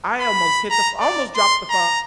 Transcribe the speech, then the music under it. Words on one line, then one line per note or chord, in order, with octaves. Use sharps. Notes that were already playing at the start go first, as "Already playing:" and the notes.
I almost hit the fl I almost dropped the phone.
B5
A#5
D5
C6
A#5